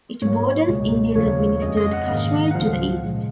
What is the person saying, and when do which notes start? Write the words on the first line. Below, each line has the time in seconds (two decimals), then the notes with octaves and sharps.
It borders Indian-administered Kashmir to the east.
0.22 G#2 F#3 A#3 C#5
0.69 C#2 B2 G#3
1.15 D#2 C#3 F3 A#3 C#5
1.62 F2 C#3 G#3 D#5
1.77 D#5
1.93 F#5
2.08 G#2 D#3 A#3 F5
2.51 F#5
2.55 C#2 C#3 F3 F5
3.02 A#2 G#3